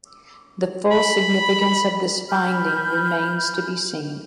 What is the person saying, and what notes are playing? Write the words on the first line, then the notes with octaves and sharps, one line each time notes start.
The full significance of this finding remains to be seen.
B5
G#5 B5 F6 G6